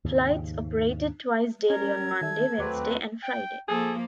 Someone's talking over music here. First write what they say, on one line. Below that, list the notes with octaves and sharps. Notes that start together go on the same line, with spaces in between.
Flights operated twice daily on Monday, Wednesday and Friday.
D#2 G#2 C#3
C#4 A#4 G#6
D#3 A4 E5
D#2 F#3 A3 C4 B4 D6
G5
F3 A#3 G#4 A4